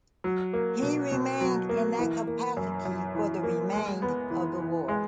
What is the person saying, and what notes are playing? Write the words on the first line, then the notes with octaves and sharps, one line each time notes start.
He remained in that capacity for the remained of the War.
F#3
A#3
B2
B2
F#3
A#3
E3
A#3
F#2
F#2
E3
A#3
G#3
B3
E3
E3
G#3